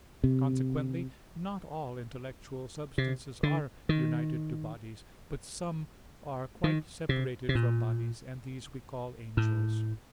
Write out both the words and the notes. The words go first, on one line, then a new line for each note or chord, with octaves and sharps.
Consequently not all intellectual substances are united to bodies; but some are quite separated from bodies, and these we call angels.
C3
C3
D3
D#3
D#3
C3
C3
A#2
A2